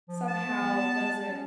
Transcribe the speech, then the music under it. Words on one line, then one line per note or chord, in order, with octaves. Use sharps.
somehow doesn't
F3
A5
B3
C#4